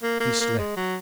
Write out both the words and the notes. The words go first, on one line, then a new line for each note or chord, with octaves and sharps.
He slept.
A#3
A#3
A#3
G#3
F#3